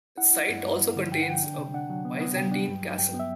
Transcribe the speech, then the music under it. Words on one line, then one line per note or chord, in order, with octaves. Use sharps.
The site also contains a Byzantine castle.
E4 F#5
E4
G2
G2
E4
D3
G2 G5
F#5
D3 G5
D4
C3
D4 F#5
F#3
B3
B3
C3 G5
D4
G2
F#3
G2 G5
B3
E5